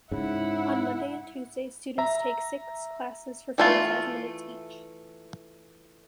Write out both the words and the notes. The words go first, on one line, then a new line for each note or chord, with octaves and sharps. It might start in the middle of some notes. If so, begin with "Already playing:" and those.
On Monday and Tuesday, students take six classes for forty-five minutes each.
G#2 C#3 E4 F#5
E5 A#5
E3 A3 F4